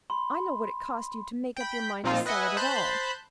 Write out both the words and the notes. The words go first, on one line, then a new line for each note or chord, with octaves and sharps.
I know what it cost you to make up your mind to sell it at all.
B5 C6
G5 B5
A#2 F3 C4 D#4 F4
B4 D#5 E5 F#5 G#5
C5 A5 B5 F#6 G6